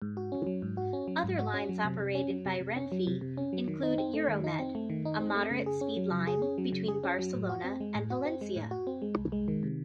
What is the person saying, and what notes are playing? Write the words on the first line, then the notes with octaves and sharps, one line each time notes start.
Other lines operated by Renfe include Euromed, a moderate-speed line between Barcelona and Valencia.
G#2
F#4
C#4
F#3
G#2
F#4
C#4
F#3
G#2
F#4
C#4
F#3
C3
C3
C#4
F#3
C3
C3
C#4
F#3
C3
C3
C#4
F#3
D#3
D#4
C4
A3
D#3
D#4
C4
A3
D#3
D#4
C4
A3
C#3
G#4
C#4
F#3
C#3
G#4
C#4
F#3
C#3
G#4
C#4
F#3
A2
F#4
C4
G#3
A2
F#4
C4
G#3
A2
F#4
C4
G#3
C2
G#3
D#3
C3